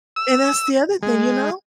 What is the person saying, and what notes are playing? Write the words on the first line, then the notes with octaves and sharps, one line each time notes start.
And that's the other thing, you know?
E6
G#3